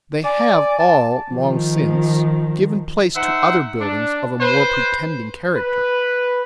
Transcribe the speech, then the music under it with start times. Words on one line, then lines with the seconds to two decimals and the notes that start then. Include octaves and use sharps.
They have all, long since, given place to other buildings of a more pretending character.
0.24 D5 G#5
0.79 A5
1.31 D#3 F3
3.16 D#4 C5 E5 F#5
3.81 D4
4.41 B4 C5
5.56 B4